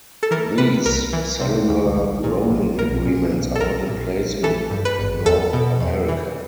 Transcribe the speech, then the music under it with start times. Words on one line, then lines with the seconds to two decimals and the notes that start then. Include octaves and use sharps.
These cellular roaming agreements are not in place in North America.
0.23 A4
0.31 E3 A#4
0.58 C3 B4
0.85 C2 A#4
1.13 E3
1.41 C3
1.69 D2
1.96 A#1
2.23 A#2
2.50 A#1
2.78 B1 A#4
3.06 A#2
3.33 B1
3.55 A4
3.60 A#1 A#4
3.88 A#2
4.16 A#1
4.43 E3 A4
4.70 G2
4.85 B4
4.99 G#1
5.25 E2 A4
5.53 B2
5.80 E2
6.08 E3